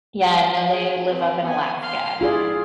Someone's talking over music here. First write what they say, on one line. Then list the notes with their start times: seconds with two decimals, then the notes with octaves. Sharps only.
Yeah, no, they live up in Alaska.
0.71 G#4
1.10 C4 B4
1.43 B3 G#5
1.82 F5 C6
2.21 E4 F4 G#4 D5